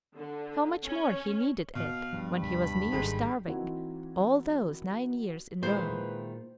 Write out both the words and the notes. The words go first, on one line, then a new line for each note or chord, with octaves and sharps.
How much more he needed it when he was near starving, all those nine years in Rome!
D3
C#4
B2 F5
G2 F3
D#2 C3 G3 B5
G#1 D#3 G#3 A3
E3 A#3 C4 D#4 E4 F#4
A#2 D#3 G#3 E4 B4 C5